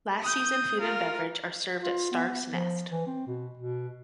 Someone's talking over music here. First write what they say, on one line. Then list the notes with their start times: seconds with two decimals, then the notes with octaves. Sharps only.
Last season food and beverage are served at Stark's Nest.
0.22 D#6 G6
0.80 F4 A#4
1.82 F4
2.11 B3
2.50 F3
2.91 E3
3.07 C4
3.27 B2
3.57 B2